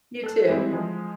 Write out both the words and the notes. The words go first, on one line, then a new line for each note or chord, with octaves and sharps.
You too.
A4 F#6
E3 G3 G#3 C4 E4
F3 G#3